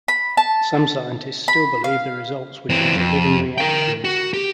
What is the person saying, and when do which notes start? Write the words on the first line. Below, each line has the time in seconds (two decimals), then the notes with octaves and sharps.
Some scientists still believe the results were due to living reactions.
0.08 B5
0.37 A5
1.48 B5
1.84 F5
2.70 E3 C4
2.96 F2
3.58 A#4 G5
4.04 F#4
4.33 G4